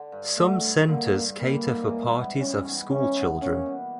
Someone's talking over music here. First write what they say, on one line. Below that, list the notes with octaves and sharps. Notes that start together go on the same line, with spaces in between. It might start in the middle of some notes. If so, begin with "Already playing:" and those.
Some centres cater for parties of school children.
Already playing: D3
G2
F#3 A3
G2
D3 A#3
G2
G3 A#3
G#2
E3
B3
G3 C#4
G#2
E3 C#4
B3
A#3 C#4
B2